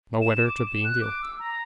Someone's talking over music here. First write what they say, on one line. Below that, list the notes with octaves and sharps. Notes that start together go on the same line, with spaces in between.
No weather to be in the open.
E7
D6
E7
F#6
D6
E6
A#5